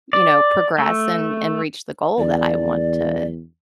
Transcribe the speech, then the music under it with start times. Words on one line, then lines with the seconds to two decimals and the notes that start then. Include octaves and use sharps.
you know, "progress and and reach the goal that I want to
0.13 D5
0.78 A3
2.18 E2 D5